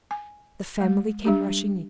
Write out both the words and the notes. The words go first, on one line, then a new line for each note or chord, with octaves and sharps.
The family came rushing in.
G#5
G#3
G3 D4 G4